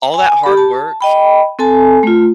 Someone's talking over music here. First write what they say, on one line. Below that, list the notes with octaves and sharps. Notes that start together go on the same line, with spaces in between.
all that hard work,
G#5
G4 B5
A5
D#5 G5 B5
C4 A4 G#5 A5
A3 F4